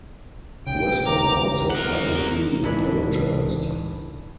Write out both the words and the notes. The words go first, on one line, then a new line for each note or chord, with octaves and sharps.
Western also publicly apologized.
A#1 C#3 G5
A#5 D6
A#4 F#5
C#2 A2 E3 D4 D#4 B5